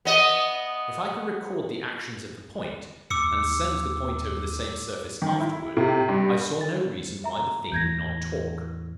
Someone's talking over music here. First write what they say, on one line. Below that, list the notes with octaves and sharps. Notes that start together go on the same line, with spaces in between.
If I could record the actions of the point, and send the point over the same surface afterward, I saw no reason why the thing would not talk.
B3 D#5
D#2 D6 E6 C#7
D#3
E4
C3
G2
A6
E5 A#5
E2 A2 G6 G#6 A#6